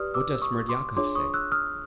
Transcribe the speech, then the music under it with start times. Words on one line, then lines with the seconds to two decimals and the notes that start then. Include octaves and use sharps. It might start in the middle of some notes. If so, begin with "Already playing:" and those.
What does Smerdyakov say?
Already playing: G4 B4 D5 D#6 F6
0.14 D6 E6
0.35 E6
0.42 C#6 D#6
0.69 C6 D6
0.97 D4 F4 G#4 C#5 C6 D6
1.15 C#6 D#6
1.34 E6 F#6
1.52 D#6 F6